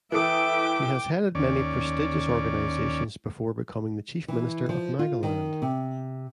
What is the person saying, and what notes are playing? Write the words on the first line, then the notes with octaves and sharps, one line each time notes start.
He had headed many prestigious organizations before becoming the Chief Minister of Nagaland.
E3 A4 B4 E5 G5 D6 D#6
D#2 C#4 D5
E3
F3
F4
D#3
C3